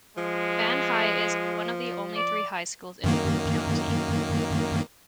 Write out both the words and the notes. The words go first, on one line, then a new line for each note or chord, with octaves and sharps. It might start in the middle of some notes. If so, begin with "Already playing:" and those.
Van High is one of only three high schools in Boone County.
F3 G#3
D5
F#2 D#3 A#3